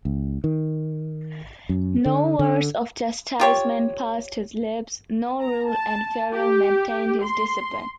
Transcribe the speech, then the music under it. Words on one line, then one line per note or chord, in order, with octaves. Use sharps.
No words of chastisement passed his lips; no rule and ferule maintained his discipline.
C#2
D#3
F#2
D3
D3
F4 G4 C#5
A#5
A5
G4
C6